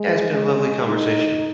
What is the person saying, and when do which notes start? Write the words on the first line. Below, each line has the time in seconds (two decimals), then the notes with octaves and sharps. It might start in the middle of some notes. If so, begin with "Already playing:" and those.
yeah, it's been a lovely conversation.
Already playing: G#3
0.30 G#3
0.87 D#4